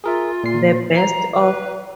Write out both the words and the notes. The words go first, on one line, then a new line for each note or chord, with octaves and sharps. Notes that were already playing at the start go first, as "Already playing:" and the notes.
The Best Of.
F4 G#4 A#4 E5
A#2 C7
A#5 C7
B4